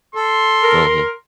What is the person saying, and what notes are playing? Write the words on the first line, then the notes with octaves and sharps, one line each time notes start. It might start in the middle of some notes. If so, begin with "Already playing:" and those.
Uh huh.
A4 C6
A#4